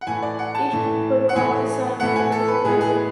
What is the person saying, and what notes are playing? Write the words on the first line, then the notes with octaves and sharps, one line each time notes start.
Each protocol is signed by the medical director.
F#5
A2 E3 A3 G#5
D5
F#5
A5
A2 E3 A3
F#5
A2 E3 A3 G#5
A2 E3 A3 F#5
G#5
A4
B4
A2 E3 G#3 B3 G#4
G#4